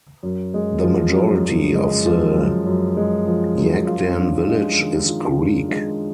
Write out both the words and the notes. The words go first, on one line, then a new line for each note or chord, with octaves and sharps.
The majority of the Yaghdan village is Greek.
F#2
G#3
F3
F#2
F#2
G#3
F3
F#2
F#2
G#3
F3
F#2
F4
D4
G#3
D#3
F4
D4
G#3